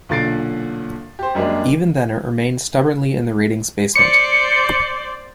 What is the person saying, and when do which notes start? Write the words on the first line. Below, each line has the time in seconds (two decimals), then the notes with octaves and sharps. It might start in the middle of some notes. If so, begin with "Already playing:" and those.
Even then, it remained stubbornly in the ratings basement.
0.09 B1 A#2 D3 A6 C7 D7
1.19 G4 C5
1.35 F#2 G3 G#3 A#3 D4
3.96 C5 D5 C#7